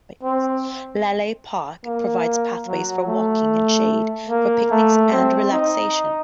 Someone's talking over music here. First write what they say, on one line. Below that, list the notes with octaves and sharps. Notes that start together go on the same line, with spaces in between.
Laleh Park provides pathways for walking and shade for picnics and relaxation.
C4
A#3
F#3
A3
A#3
A3
C4
D#4